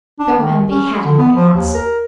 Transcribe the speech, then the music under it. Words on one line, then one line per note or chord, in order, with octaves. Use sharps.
Go and behead him at once.
D4
D#3
C#4
D3
B3
F3
D#2
A#4